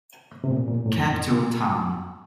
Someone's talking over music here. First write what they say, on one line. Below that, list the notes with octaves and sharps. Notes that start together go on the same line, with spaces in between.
Capital town.
C3
A#2
A#2
A2
F2